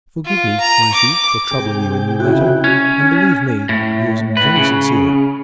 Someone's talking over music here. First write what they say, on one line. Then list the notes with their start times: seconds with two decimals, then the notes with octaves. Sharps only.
Forgive me, won't you, for troubling you in the matter, and believe me, yours very sincerely.
0.24 F4
0.60 A#5
0.92 D6
1.51 C3 G#4 G5
2.20 F2 C#3 E4 F#4
2.64 C#4
3.69 A2
4.37 A2 B4
4.56 C#3